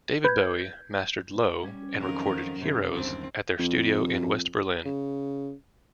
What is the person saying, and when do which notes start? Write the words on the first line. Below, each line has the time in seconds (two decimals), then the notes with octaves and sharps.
David Bowie mastered "Low" and recorded "Heroes" at their studio in West Berlin.
0.24 B4 G6 G#6
1.63 G3 C#4 G#6
1.99 F2 D#3 F#3 D#4 A#4
2.59 F#2 C3
2.94 G1 D#2 C4 A6
3.59 F2
4.85 C#3